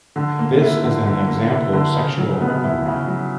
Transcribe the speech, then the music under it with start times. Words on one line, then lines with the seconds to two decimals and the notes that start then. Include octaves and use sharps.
This is an example of sexual weaponry.
0.16 D3
0.39 A#3
0.61 E4
0.84 D3
1.06 D3
1.28 A#3
1.51 E4
1.73 D3
1.95 C#3
2.18 F#3
2.41 B3
2.63 E4
2.86 C#3
3.07 F#3